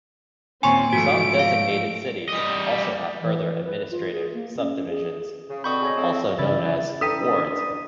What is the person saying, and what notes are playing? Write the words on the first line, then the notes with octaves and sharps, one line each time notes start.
Some designated cities also have further administrative subdivisions, also known as wards.
D#2 A#2 C4 C#4 G#5 C6 C#6
G#2 F3 A3 F#4 B6 D7
F5
G3 D#5
E3
B4
F4
G#4
A#3
C#4
G#4
C#3
B2 D3 C4 B5 C#6 D#6 G6
G#4 C#5 D#5
F3 A3 C4
C#3 E3 E4 A6
D4 A4 B4 G5 A#5 D#6 B6 D#7